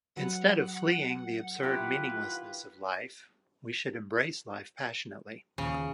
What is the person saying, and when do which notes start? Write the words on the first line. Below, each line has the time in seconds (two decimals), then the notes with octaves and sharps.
Instead of fleeing the absurd meaninglessness of life, we should embrace life passionately.
0.17 F#3 B4 F#5
1.63 D#3 E4 F4 G4 B4
5.58 D#2 A#2 C#3